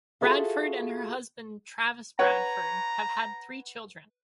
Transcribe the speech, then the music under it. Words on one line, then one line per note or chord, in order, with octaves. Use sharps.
Bradford and her husband Travis Bradford have three children.
F4 F#4 G#4 A4 E5 F5
B4 C#5 F#5 A#5